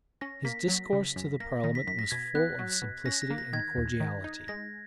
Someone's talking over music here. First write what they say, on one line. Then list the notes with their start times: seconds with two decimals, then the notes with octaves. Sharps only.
His discourse to the parliament was full of simplicity and cordiality.
0.21 C#4 A#6
0.45 A#3 B6
0.68 F#3
0.93 C#3
1.16 F#2
1.40 A#3 A#6
1.64 D#3 A#6
1.75 B6
1.87 F#2 B6
1.99 A#6
2.11 B2 G#6
2.35 B3 F#6
2.59 F#3
2.82 B2
3.06 C#4 A#6
3.22 A#6
3.30 A#3
3.38 A#6
3.53 D#3 G#6
3.77 D#2
4.00 D#3
4.24 D#4
4.48 G#3 A#6